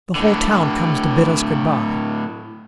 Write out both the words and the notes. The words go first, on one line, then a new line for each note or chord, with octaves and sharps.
The whole town comes to bid us good-by.
A2 D3